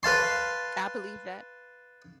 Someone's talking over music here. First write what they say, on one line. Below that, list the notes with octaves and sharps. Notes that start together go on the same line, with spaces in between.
I believe that.
B4 F5 A5 C6